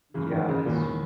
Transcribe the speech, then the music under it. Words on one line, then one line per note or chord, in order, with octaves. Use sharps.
Yeah, its
F#2 C#3 E3 A#3
D#3
C#3
D#2 A#2 D#3 G#3 B3 F#4